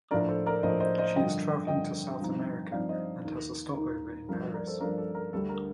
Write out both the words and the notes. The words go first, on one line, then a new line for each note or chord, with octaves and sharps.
She is traveling to South America and has a stopover in Paris.
A2 F3 A#3 D4 A#4 D5
A4 C5
A#4 D5
A2 F3 A#3 D4 C5 D#5
C5 D#5
C5 D#5
G2 D3 F3 D#5 G5
G2 D3 F3 D#5 G5
G2 F3 C4 D#4
G2 F3 C4 D#4 D5 F5
C5 D#5
D#2 D#3 A#3 D#4
D#2 D#3 A#3 D#4
G2 F3 A#3 D4 A#4
A#4 D5
A4 C5
G2 F3 A#3 D4 A#4
A4
A#4
D2 D3 G3 A4
A#4